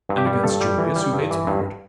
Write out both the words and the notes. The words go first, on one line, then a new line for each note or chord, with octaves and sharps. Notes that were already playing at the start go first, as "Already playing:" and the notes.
And against Julius, who hates Bernard.
G2
G4
G3
G2 A4
G3
E3
G3
G2
E3
G2